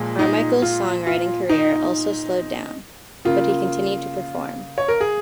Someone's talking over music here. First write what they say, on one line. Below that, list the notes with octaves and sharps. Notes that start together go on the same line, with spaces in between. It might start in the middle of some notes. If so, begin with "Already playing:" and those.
Carmichael's songwriting career also slowed down, but he continued to perform.
Already playing: A#2 F3 G#3
D#4
F4
F4
D#4
C#3 A#3 F4
C#5
A#4
G#4